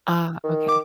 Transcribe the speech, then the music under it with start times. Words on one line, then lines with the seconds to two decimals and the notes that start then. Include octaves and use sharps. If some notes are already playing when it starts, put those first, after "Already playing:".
Ah, okay.
0.43 D#3
0.68 D6